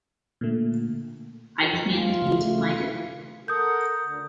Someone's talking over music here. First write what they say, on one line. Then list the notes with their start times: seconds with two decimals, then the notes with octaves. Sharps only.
I can’t eat my dinner.
0.41 A#2 D3 A3
1.73 F3
1.94 F4
2.09 F4
2.22 C#3
2.40 A3
2.58 F4
3.48 A4 A#4 F#5 D#6 G6
4.05 D2 D3